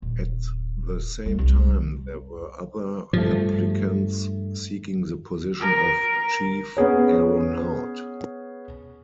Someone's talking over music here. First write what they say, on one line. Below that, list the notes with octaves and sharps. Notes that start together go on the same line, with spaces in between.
At the same time, there were other applicants seeking the position of Chief Aeronaut.
D#1
G3
C2
G2 F3 A3
A#4
B3 C#4 G#4 C#5